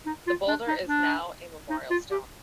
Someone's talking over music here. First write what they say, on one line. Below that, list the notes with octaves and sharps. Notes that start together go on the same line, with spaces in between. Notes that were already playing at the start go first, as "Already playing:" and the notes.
The boulder is now a memorial stone.
D#4
F4
D4
D#4
D4
D#4
F4
G4